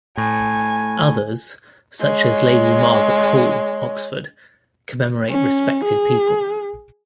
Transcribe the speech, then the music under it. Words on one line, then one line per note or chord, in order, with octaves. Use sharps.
Others, such as Lady Margaret Hall, Oxford, commemorate respected people.
A2 G#5
G#3 C#5
C#4
G#4